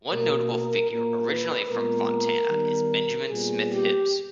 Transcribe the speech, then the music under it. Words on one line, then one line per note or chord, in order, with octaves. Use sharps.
One notable figure originally from Fontana is Benjamin Smith Hibbs.
B2 A#3 A#4
A#2 A#3 A#4
B4
A#2 G#3 B3 A#4
D#3 G3 B3
A#2 G3 B3 G#4
G4